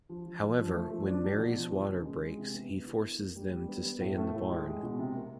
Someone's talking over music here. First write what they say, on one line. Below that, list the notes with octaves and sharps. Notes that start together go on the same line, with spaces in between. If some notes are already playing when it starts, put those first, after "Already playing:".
However, when Mary's water breaks, he forces them to stay in the barn.
F3
F3
F3
F3
A3
F3
D4
F#3
B2
F3
A#3
C#3
G#3
G#3
C3
B3
B3
E4
A#3
A#3
G3
G3
B3
B3
A2
A3
A2
G#3
G#3
B2
C3
A#3